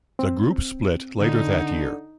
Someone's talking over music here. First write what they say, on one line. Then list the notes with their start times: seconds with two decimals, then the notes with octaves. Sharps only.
The group split later that year.
0.19 C4
1.21 D3 D#4